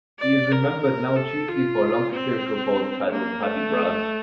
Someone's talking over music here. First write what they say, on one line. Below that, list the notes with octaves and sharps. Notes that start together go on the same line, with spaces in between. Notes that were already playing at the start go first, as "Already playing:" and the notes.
He is remembered now chiefly for a long satirical poem titled "Hudibras".
D5
A#4
A#4
A4
F4
C4
A#3
A3